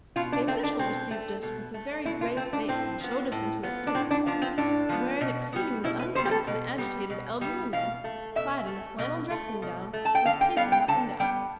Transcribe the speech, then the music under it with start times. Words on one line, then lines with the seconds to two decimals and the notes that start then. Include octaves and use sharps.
The official received us with a very grave face and showed us into a sitting-room, where an exceedingly unkempt and agitated elderly man, clad in a flannel dressing-gown, was pacing up and down.
0.16 B2 F4
0.32 D4
0.47 A3 C4
0.64 D4
0.79 B2 C4
1.11 A3
1.42 B2
1.74 A3
2.05 B2 E4
2.21 F4
2.37 A3 C4
2.53 D4
2.68 A2 C4
3.00 F3 B3
3.32 A2
3.63 F3 B3
3.87 D4
3.94 A2 C4
4.11 D4
4.26 F3 B3 D4
4.42 C4
4.58 A2 D4
4.89 F3 B3
5.21 B2
5.53 G3 B3
5.84 B2 E4
5.99 B4
6.15 G3 B3 C5
6.25 G4
6.31 A4
6.47 B2
6.78 G3 B3
7.10 B2
7.41 G3 B3
7.73 B2 F5
8.04 A3
8.35 B2 E5
8.67 A3
8.98 B2
9.31 A3
9.62 B2
9.93 A3
10.05 A5
10.15 G5
10.25 D3 F5
10.41 G5
10.56 G3 B3 F5
10.72 G5
10.88 D3 A5
11.20 G3 B3 G5